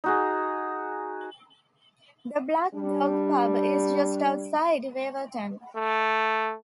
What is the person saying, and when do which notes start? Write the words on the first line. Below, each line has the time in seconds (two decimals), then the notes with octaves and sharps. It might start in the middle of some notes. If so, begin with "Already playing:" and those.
The Black Dog pub is just outside Waverton.
0.04 D#4 F#4 G#4
2.75 G3 D4
5.76 A3